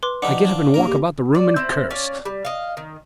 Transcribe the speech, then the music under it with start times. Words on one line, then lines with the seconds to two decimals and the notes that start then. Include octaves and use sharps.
I get up and walk about the room and curse....
0.03 B4 C6 D6
0.22 F3 D4 D#4 G4 F#5 D6
0.45 D4 F4
0.74 A#1 A#3 D4 A#4
0.87 G4
1.35 D5
1.56 C4 E4
1.90 C#4 D5 F5
2.25 G3
2.45 D#5 F5
2.77 D#3